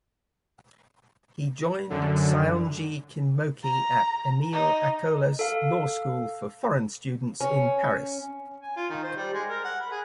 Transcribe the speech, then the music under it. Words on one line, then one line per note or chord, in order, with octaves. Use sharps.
He joined Saionji Kinmochi at Emile Acollas' Law School for foreign students in Paris.
F#2 D3
A#5
D#4
A4 F5
C#4
G#5
F4
D#3
C5
G3
G#3
A#4
F#5
B5
G#4